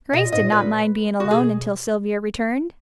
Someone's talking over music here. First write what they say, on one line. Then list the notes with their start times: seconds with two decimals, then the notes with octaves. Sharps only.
Grace did not mind being alone until Sylvia returned.
0.13 B2 D#5
0.24 A#2
0.32 G#2 D#5
0.43 A#2
0.52 B4
1.20 C#3 F#4
1.31 B2 G#4